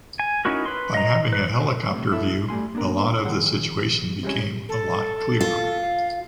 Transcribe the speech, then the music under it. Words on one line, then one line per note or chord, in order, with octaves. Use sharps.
By having a helicopter view, a lot of the situation became a lot clearer.
G#5
C#4 D#4 E4 F#4 A#4
B4 C6
D#5 A#5
B4
A2 C3
B2 E4 A4 E5
G3 A3 G#5 C6
A#3 B3 D4 A#4
F2 D#3 G#4 F#5
C3 G3 G#3 C#4
A4
F4
F5